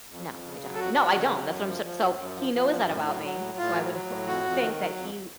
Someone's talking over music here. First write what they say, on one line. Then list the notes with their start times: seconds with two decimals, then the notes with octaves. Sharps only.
No, I don't. No, I don't, that's what I'm so so he knows that about me, so I would ho think that he
0.10 F2
0.28 F2
0.46 C#3
0.63 F#3
0.74 A4
0.79 F2 F#4
0.97 F2
1.15 C#3
1.32 F#3
1.49 F#2
1.67 F3
1.84 F3
2.02 F#2
2.18 F#2
2.37 F3
2.54 F3
2.71 F#2
2.89 A2
3.06 F#3
3.22 F#3
3.40 A2
3.58 A2 F4
3.75 F#3
3.92 F#3
4.10 A2
4.27 F2 F#4
4.45 F2
4.62 D#3
4.79 F#3
4.97 F2